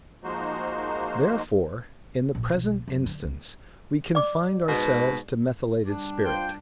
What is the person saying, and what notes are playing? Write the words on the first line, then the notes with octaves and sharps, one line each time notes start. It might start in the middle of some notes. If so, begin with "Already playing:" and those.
Therefore, in the present instance, we confined ourselves to methylated spirit.
F3 G#3 A#3 D#4 F#4 C5
A#1
B1
F#2
D3
C#2
D5 D6
G#2 B2
G3 D4
F4 C5 G5